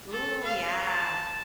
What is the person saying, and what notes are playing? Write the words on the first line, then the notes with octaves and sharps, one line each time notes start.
Ooh, yeah.
A4
F5
A5